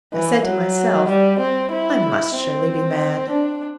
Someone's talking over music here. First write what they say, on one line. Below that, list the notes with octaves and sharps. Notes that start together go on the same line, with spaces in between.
I said to myself: 'I must surely be mad!'
E3
F#3
G3
C4
E4
C4
D4